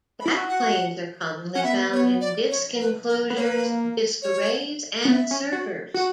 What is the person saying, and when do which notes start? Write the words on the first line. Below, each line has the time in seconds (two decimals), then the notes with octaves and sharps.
Backplanes are commonly found in disk enclosures, disk arrays, and servers.
0.20 B5
0.26 E4
0.34 F#4
0.49 F#5
1.54 C#4 F#5
1.63 B3 E5
1.92 C#5
2.21 D5
2.50 C#5
2.79 B4
3.08 A#4
3.30 B3
3.37 A#3 B4 C#5
4.22 C#5
5.05 C#4
5.08 B3 F#5
5.12 E5
5.31 C#4
5.52 F#4
5.94 F#4 F#5